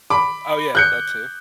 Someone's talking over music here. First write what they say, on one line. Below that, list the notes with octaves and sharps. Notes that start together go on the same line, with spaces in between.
Oh yeah, that too.
B5 D6
F#6 G6 C#7